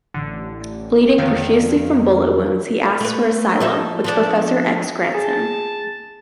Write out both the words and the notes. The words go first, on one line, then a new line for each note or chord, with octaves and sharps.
Bleeding profusely from bullet wounds, he asks for asylum, which Professor X grants him.
A1 D3
F2 D3 D#3 F5
A3 B4
F3 D#4 E5
F3 B3 D4
G#4 A5